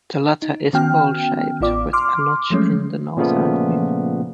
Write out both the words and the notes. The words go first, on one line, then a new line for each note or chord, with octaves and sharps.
The latter is bowl-shaped with a notch in the northern rim.
D#4
D#3 B3 C#4 F#4 G5 F6
A1 B3 F4 D5 D6
C6 D6 F6
F3 F#3 G#3 A3 C#4
A#2 C#3 F3 A3 B3